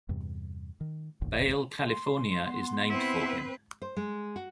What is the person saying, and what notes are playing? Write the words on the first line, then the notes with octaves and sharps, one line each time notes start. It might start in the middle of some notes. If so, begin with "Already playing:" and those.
Bale, California is named for him.
E2 G2 C3
D#3
F1 A#1 D#2 A2
C6
B3
C4 E4 B4
C5
G#3
F#4